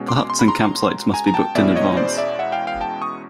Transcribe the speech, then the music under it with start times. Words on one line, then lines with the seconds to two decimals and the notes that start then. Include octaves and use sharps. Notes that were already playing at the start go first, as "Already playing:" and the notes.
The huts and campsites must be booked in advance.
Already playing: B2 G#3 C#4
0.08 C6 D6
0.30 C6
0.39 B5
0.48 A#5 C6
1.13 G#5 A#5
1.27 A#5
1.34 G5 A5
1.55 E2 B2 G#3 C#4 E4 D5 E5
1.75 C#5 D#5
1.97 C5 D5
2.18 D5 E5
2.39 E5 F#5
2.52 F5 G5
2.67 F5 G5
2.81 G5 A5
3.02 C#6 D#6